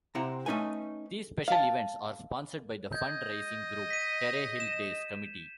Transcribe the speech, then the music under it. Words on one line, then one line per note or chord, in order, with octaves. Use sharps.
These special events are sponsored by the fund raising group Terre Hill Days Committee.
C3 C4 E4 F#5 A#5
A3 C#4 D#4 B4 G#5
F5 A5
D#5 G6 G#6
B6 D#7
E7